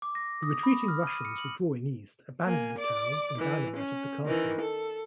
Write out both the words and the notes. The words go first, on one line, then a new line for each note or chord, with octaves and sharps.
The retreating Russians, withdrawing east, abandoned the town and dynamited the castle.
D6
A#6
D#6
B5
F6
D#7
C#7
F#7
A#3 G#5
D5 D6
E3
C#4
D#3 E3
A4